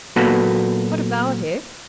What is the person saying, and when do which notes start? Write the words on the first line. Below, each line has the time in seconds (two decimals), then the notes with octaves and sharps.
"What about it?"
0.16 A#2 F#3 A#3 B3 F#4 A4